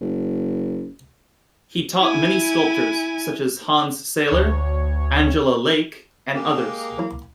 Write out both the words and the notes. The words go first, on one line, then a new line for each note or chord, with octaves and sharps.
He taught many sculptors, such as Hans Sailer, Angela Laich and others.
F#1
E4 G#5
D2 C#5
G#3 A#3 G4 G#4
E3 F#3 E4